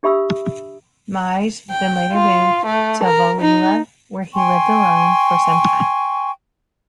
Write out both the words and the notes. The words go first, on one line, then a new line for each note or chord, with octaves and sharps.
Mige then later moved to Vallila, where he lived alone for some time.
D4 G4 E5 B5 D#6 E6
G5
F4
A3
A#4
D#4
G5 G#5 C6 C#6